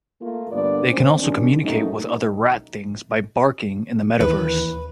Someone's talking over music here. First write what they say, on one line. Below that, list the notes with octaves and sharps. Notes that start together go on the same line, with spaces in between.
They can also communicate with other Rat Things by "barking" in the Metaverse.
A3 A#3 F4
G2 D3 A#3 B3 A#4 D5
C4 C#4 C5
D#3 G3 C#4 D4
F#3 A3 A#3 C#4 D#4
D#2 E3 B4